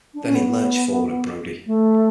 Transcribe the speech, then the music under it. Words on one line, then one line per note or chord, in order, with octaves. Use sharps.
Then he lurched forward at Brody.
D4
C#4
B3
A3